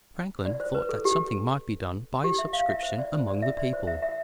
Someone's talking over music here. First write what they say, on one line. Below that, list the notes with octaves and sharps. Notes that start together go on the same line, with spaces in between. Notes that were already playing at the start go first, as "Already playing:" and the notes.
Franklin thought something might be done by a subscription among the people.
D5
C5
B4
A4
G4
G4
E5
F5
E5
C5
D5
C5
D5
E5
D5
C5
E5
E5